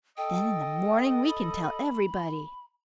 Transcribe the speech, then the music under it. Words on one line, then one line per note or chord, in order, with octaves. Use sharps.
"Then in the morning we can tell everybody."
A4 D#5 G5
B5